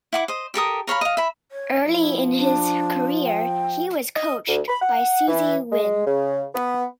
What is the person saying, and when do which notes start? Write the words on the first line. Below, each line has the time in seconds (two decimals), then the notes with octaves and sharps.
Early in his career, he was coached by Susie Wynne.
0.13 E4 F#5 D6
0.28 C5 D#5
0.54 G4 A4 A#4 D#6
0.87 A#4 C#5 F5 B5
1.01 D#5 F5
1.17 E5 B5
1.52 C#5
1.87 F3 E4
2.37 D4
3.23 G5
4.15 D#5
4.47 D2
4.68 B5
4.81 F#5
5.28 E3
5.70 G#3
6.05 C#3
6.54 B3